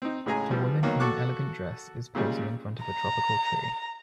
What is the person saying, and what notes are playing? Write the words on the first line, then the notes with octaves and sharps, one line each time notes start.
A woman in an elegant dress is posing in front of a tropical tree.
C4 D#4
A2 C#3 G#3 G#4 G#5 A#5
E3 F3 G3
B2 D#3 F#3 A#3
F#4 A4 A5 C#6 D6 F#6
A#2 C#3 G3 G#3
A#5